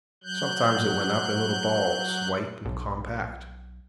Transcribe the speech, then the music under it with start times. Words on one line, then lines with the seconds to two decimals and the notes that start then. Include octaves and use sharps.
Sometimes it went up in little balls, white and compact.
0.24 F#3 F#6 G6
2.65 B1